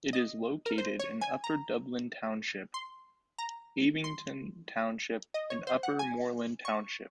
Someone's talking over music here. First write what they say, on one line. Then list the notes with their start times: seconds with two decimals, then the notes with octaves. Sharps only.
It is located in Upper Dublin Township, Abington Township and Upper Moreland Township.
0.13 D#5
0.66 A#4
0.78 C5
0.99 C#5
1.21 G#5
1.44 A#5
2.74 C6
3.39 A#5
4.04 C6
5.34 D#5
5.50 C#5
5.67 C5
5.83 F#5
5.99 G#5
6.65 C#6